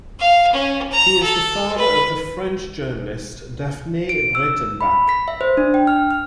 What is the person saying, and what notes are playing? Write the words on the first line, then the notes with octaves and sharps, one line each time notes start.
He is the father of the French journalist Daphnee Breytenbach.
F5
C#4
A#5
A4
B4
D7
E6
B5
B6
E5
C5
D4
G5
F6
F6